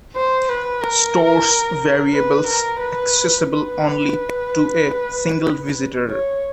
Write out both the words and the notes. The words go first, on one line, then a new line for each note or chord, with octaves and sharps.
Stores variables accessible only to a single visitor.
C5
B4
A#4
B4
A#4
B4
B4
C#5